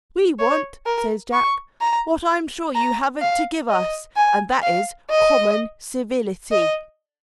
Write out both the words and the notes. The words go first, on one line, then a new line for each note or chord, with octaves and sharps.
"We want," says Jack, "what I'm sure you haven't to give us--and that is, common civility."
C#5
A#4
C#6
A#5
A#5
F5
D#5
G#5
F5
D#5
D#5